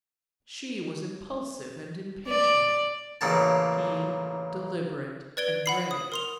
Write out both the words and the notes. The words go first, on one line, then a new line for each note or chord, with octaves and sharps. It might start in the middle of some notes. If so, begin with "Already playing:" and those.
She Was impulsive and impatient, he deliberate and grave.
D5
A1 C#3 A#3 A5
B4 D5 G#6 D7 G7
F#5 B5 C7
D#6
A#4 C6 F7